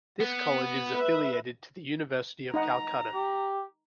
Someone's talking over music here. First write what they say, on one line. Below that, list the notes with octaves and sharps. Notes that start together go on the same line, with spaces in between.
This college is affiliated to the University of Calcutta.
B3
B4 E5
D#4 D#5 F#5 A#5
G4